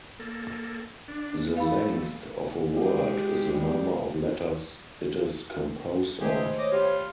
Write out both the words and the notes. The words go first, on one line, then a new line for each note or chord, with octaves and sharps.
The length of a word is the number of letters it is composed of.
A#3 A4
D4
A3 F5 B5
G#3 G4
G3
D#3 G#3 A3 G4 G#4 C5
C#5 D#5 D6
G3 F4 G4